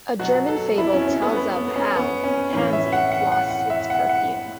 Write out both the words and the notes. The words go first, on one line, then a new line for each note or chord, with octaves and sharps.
A German fable tells of how the pansy lost its perfume.
B2 F#3 F#4
A4
E4
C#4
C#4
B3
B3
B3
C#4
B3
C#4
A2 E3 C#4
E5
F#5
F#5
F#5
F#5
E5
F#5
F#5